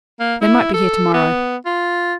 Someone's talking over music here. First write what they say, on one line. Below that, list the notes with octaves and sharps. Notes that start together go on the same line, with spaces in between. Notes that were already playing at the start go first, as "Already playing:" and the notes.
They might be here to-morrow.'
A#3
E4
A4
B3
F4